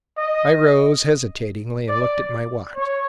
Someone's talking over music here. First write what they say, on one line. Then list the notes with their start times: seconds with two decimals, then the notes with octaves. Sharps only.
I rose hesitatingly and looked at my watch.
0.18 D#5
1.89 D5
2.75 C#5